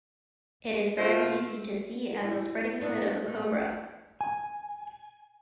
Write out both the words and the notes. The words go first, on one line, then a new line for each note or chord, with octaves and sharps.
It is very easy to see as the spreading hood of a cobra.
B2 A3 F4 C5
E4
B3 D4 E4
A3
G#5